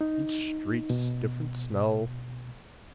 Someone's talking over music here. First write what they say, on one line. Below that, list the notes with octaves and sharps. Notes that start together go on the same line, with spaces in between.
Each street different smell.
D#4
B2